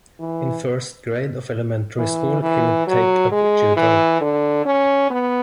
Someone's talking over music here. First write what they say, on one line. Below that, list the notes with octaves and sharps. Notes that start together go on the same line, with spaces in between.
In first grade of elementary school he would take up judo.
E3
E3
E3
F#3
G#3
E3
D3
C#4
B3